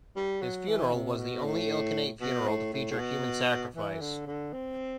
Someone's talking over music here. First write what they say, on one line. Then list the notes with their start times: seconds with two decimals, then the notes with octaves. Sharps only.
His funeral was the only Ilkhanate funeral to feature human sacrifice.
0.16 G3
0.41 F#3
0.68 E3
0.93 C3
1.18 B2
1.44 A2
2.21 B2
2.47 A2
2.73 A2
2.91 A2
2.98 B2
3.75 E3
4.01 D3
4.26 D3
4.53 C4